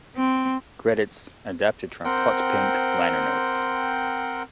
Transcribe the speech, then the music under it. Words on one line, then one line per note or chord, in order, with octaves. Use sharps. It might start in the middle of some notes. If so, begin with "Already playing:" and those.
Credits adapted from "Hot Pink" liner notes.
C4
C4 A#4 C5 F#5 G5